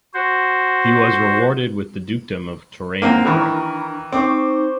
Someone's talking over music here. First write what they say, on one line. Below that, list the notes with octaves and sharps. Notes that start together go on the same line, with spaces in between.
He was rewarded with the dukedom of Touraine for it.
F#4 C5
G#2 A#3 C4 D4 A#4
D#3 E3 A#4 B5 C#6
C4 D#4 C5 C#6 D6